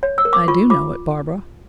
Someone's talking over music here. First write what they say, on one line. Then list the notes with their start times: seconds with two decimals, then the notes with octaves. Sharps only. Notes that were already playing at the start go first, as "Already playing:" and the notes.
"I do know it, Barbara."
0.03 C#5
0.18 E6
0.25 A#4
0.33 D6
0.48 F4 C#6
0.70 F4 D6